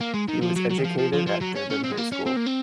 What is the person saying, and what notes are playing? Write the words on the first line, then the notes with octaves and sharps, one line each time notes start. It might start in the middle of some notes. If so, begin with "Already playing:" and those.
He was educated at Durban High School.
A#3
G#3
D#3
F3
F#3
F#3
D#3
F3
F3
F3
F3
F#3
C#4
C#4
C4
G#3
A#3
C#4
C4
A#3
C4